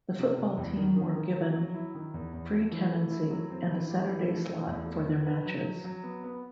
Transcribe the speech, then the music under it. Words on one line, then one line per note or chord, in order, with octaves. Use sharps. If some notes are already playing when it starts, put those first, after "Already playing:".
The football team were given free tenancy and a Saturday slot for their matches.
C3
C3
E2
D#3
D#3
D#3
F#3
F#3
E4
D#3
E2
E2
A3
E3
A3
E4
F#3
C4
E3
G4
E3
A3
A3
E2
A3
B4
B4
F#3
F#3
F#3
B3
B3